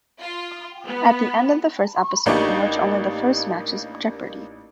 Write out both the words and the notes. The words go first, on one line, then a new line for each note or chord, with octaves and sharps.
At the end of the first episode, in which only the first match's Jeopardy!
F4
B3
A1 A#3 D4 D#4 G4 C#6